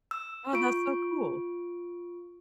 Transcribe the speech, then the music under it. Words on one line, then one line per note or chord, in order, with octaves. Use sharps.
Oh, that's so cool.
E6
F4 C#6 D7